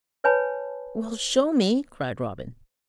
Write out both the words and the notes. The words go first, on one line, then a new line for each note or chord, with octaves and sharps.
"Well, show me," cried Robin.
B4 C#5 G#5 A5 B5